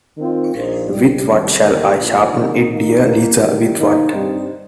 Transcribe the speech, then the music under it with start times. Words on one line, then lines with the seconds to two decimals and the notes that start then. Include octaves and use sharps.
With what shall I sharpen it, dear Liza, with what?
0.17 D#3 C4 F4
0.53 A#1 A#2 F3 D#4 C5
0.90 C2 C3 G3
1.25 C2 C3 D#3 G3
1.61 D#2 D#3 A#3 G4 A#4
1.97 A#1 A#2 A#3 F4
2.32 D#3 C4 D#4 A#4
2.68 D#3 A#3 D#4
3.04 D#2 D#3 A#3
3.40 D#3 G3 A#3
3.76 D#3 A#3 D#4 C5
4.12 G2 G3 C4 D#4 C5